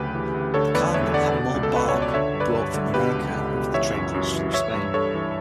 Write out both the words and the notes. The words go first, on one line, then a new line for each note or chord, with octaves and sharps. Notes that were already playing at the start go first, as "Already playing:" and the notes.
The cardinal had more bark brought from America over the trade routes through Spain.
Already playing: D2 C#3 G4 B4
E3
D2
D3 A4 C#5
E2 B4 D5
E2 C#5 E5
D3 D5 F#5
B2
C#2
A4
C#2 B4
C#5
B2
D5
D3 C#5 E5
G2
B4 D5
G2
D3
B2 G4 B4
C#2
C#2
B2
E3 C#5 E5
F#2
F#2
E3
E3 C#5 E5
G2
G2 A4 C#5
E3